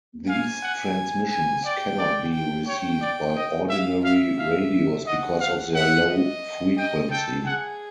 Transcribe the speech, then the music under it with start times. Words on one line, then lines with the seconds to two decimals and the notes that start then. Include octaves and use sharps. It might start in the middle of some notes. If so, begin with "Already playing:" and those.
These transmissions cannot be received by ordinary radios because of their low frequency.
0.28 F5 G#5
0.63 F#5
1.30 G#5
1.64 D5 G5
1.98 D5
2.33 G5
2.67 C#5 G5
3.01 D5
3.36 D#5
3.69 E5 F5
4.04 E5 F5
4.38 F5
5.06 D#5 F#5
5.40 F5
5.74 E5 F#5
6.09 D#5
6.77 D#5 G5
7.11 A4 G5
7.46 G#4 F#5